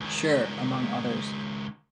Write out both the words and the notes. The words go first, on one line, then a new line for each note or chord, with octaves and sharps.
Sure!, among others.
C#2 D#3